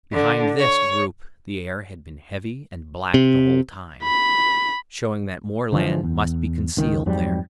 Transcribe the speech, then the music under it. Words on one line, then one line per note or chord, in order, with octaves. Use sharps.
Behind this group the air had been heavy and black the whole time, showing that more land must be concealed there.
D3
C#5
C3
B5
D3 E3 F3 G#3
E2
C#2 D#3
F2 G#2 F#3 G3